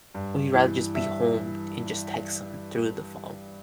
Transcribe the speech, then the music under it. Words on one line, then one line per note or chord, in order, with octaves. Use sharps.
would you rather just be home and just text 'em through the phone?
G2
E3
G2 E5
E3